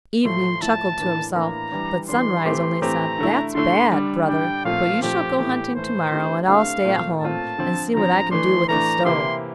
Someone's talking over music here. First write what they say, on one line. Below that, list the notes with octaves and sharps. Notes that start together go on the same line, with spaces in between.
Evening chuckled to himself, but Sunrise only said, "That's bad, brother; but you shall go hunting to-morrow, and I'll stay at home, and see what I can do with the stove."
A2 F3 A3 E4 C6
A2 F3 A3 E4 A5
A2 E3 A#3 D4
A2 E3 A#3 D4 A#5
E3 G3 D4
E3 G3 D4 C6
E3 A3 C4 G4 C6
E3 A3 C4 G4 A#5
D3 A3 E4
D3 A3 E4 C6
D3 G3 D4
D3 G3 D4 G5
A#2 F3 A3 C4 F4 F5
A#2 F3 A3 C4 F4 G4
A2 E3 A3 G4
A2 E3 A3 C5
D3 A3 C4 E4 G4
D3 A3 C4 E4 G4 F5
A#2 A3 C4 F4
A#2 A3 C4 F4 A5
D3 F3 C4
D3 F3 C4 A#5
E3 A3 D4 C6
E3 A3 D4 A#5
C3 E3 A#3 E4 G4 C6